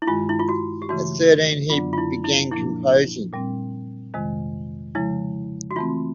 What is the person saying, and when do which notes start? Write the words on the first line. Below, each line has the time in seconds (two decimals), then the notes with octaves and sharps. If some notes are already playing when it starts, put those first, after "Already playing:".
At thirteen he began composing.
0.02 E4
0.07 G2 D#3 G#3 F4
0.29 E4
0.39 F4
0.49 F#4
0.82 G4
0.89 C#3 E3 A3 F#4
1.70 F#2 D3 F#3 B3 D4 F4
1.93 F4
1.98 E4
2.24 E4
2.51 A#2 F3 A#3 D4 E4
3.33 A#2 G3 C4
4.14 F2 C3 D#3 G#3
4.95 C#3 F3 G#3 E4
5.71 F#4
5.76 E3 A3 C4 F4